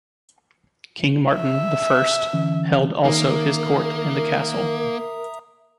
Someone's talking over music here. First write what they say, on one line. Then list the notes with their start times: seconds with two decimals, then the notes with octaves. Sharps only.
King Martin the First held also his court in the castle.
1.36 E5
2.33 D3 E3 C#4
3.04 D#3 A#3 D#4 A#4 E5 A#5 D#6